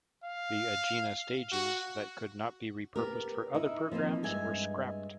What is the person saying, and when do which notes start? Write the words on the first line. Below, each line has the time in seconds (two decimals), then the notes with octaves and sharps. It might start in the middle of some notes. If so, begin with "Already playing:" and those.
The Agena stages that could not be repurposed for other programs were scrapped.
0.24 F5
1.52 F#4
2.96 B3 G4 A#4
3.55 D#4 E4
3.92 F3 A#3 C4 D#4
4.23 G2 G#3 E5 G#5